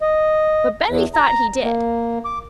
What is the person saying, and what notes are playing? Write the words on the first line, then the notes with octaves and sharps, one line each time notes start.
But Benny thought he did.
D#5
E2
A#5
A#3
D6